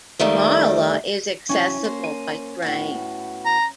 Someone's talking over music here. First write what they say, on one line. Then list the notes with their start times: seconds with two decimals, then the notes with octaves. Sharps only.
Marla is accessible by train.
0.19 F2 D#3 G3 A3
1.49 C3 E3 F#3 C#4
1.84 A#3 C5
2.04 D#7
2.62 A2 B3 F#4
3.46 A#5